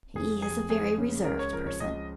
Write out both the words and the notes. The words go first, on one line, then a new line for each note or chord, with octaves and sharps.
He is a very reserved person.
F1 G#4
F2 G#4
G#3 G#4
C#3
C#2 A#4
C#5
F3 A#4
C#5
C#2 D#5